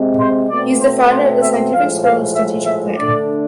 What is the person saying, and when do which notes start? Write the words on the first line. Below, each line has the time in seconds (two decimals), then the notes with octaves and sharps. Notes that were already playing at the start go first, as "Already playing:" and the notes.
He is the founder of the Scientific School of Strategic Planning.
Already playing: C3 G#3 C4
0.20 C5
0.50 B2 A3 C4 D5
0.82 C5
1.12 C5
1.42 E5
1.74 A2 F3 G#3 F5
2.05 F5
2.36 E5
2.66 E5
2.97 D3 A3 D4 D5